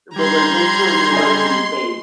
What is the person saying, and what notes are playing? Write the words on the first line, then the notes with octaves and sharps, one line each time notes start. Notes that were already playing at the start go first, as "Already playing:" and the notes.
but like make sure you're ready to be paid.
G3 A#5 C6 G#6
G#4 D#5